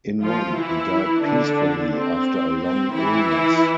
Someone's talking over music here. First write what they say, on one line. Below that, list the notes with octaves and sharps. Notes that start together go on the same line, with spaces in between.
In one, he died peacefully after a long illness.
F3 F4
E3 E4
D3 D4
C4
C4
E3 E4